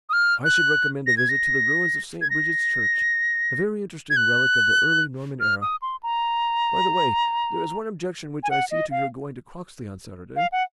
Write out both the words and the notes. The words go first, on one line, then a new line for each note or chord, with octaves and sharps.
I should recommend a visit to the ruins of St. Bridget's Church, a very interesting relic of the early Norman era. By the way, there is one objection which I see to your going to Croxley on Saturday.
D#6
F6
F#6
A#6
G#6
A#6
G#6
A#6
G#6
F#6
F6
D#6
C6
A#5
G#5
F#5
D#5
F5
F5
F#5